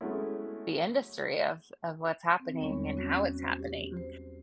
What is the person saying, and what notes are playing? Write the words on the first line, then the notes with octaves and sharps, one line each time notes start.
the industry of of what's happening and how it's happening.
F#3 G#3 A3 B3 C#4 E4
C4
E2 G3 G#3 B3 C#5 C#6
C#4 F#4
C5
G4
C5